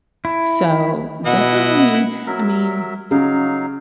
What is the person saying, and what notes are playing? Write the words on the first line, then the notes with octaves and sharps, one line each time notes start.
So, definitely, I mean
E4
B2 E4 D#5 F#5
F#3 A#4 E5
C#3 F#3 D#4 F5